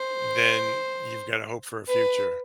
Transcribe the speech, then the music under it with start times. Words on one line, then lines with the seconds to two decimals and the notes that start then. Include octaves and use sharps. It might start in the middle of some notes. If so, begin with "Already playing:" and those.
then you've got a hope for a future.
Already playing: C5
1.89 B4